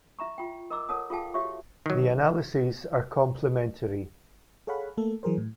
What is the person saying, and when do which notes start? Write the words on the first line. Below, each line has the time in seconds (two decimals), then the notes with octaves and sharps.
The analyses are complementary.
0.19 E4 E5 A#5 C#6
0.38 F4 G5
0.70 A#4 D#5 A#5 D6 E6
0.89 A4 A#4 C#5 F#5 A5 D#6
1.10 F4 G#4 A4 F5 G5 A5
1.34 F#4 G4 C#5 E5 C#6
1.86 D#3 F#3
4.67 G#4 A4 C#5 F5 F#5 B5
4.97 A3 A#3 A4
5.23 E3 F#3 G#4 A#4 C5
5.38 A2